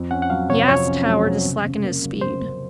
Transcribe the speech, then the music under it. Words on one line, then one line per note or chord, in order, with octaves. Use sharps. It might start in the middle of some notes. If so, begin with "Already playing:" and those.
He asked Howard to slacken his speed.
Already playing: F2
C#4 F#5
F#5
F#3 F5
C3 C#5
F2 C#5
C#4
F#3
C3
C#3
C#3
A#3
F#3
C#3 C5
C#3